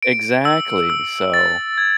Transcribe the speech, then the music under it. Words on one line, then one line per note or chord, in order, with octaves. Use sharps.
exactly, so,
D7
E6
E6
A6
G#6